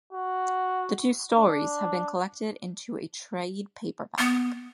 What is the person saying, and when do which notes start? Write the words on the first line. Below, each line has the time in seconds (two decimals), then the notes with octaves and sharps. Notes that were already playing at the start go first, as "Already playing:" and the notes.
The two stories have been collected into a trade paperback.
0.13 F#4
1.37 D4
4.19 B3